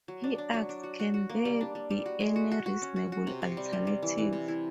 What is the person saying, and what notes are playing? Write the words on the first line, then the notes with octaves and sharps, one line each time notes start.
He asked Can there be any reasonable 'alternative'?
F#3
D4
D4
F#3
D4
F#4
F#4
F#4
A#3
G3
D4
G3
G3
F#4
G#3
F#4
F#4
F#4
C#4
F#4
F#4
C3
C3
G3
G3
G3
E3
E3
C3
E4